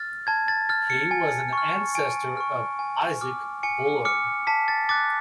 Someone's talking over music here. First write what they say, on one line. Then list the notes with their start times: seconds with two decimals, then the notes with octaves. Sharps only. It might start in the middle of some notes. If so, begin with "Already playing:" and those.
He was an ancestor of Isaac Bullard.
Already playing: F6 A6
0.27 A5 G#6
0.48 A6
0.69 F6 A6
0.90 C#7
1.11 G#5
1.53 C#6 F6
1.95 G#5 D7
2.37 C#6 F6
2.79 G#5
3.21 D6 F6
3.63 G#5 C#7
4.05 D6 F6 C#7
4.47 A5 B6
4.68 A6
4.89 D6 F#6 A6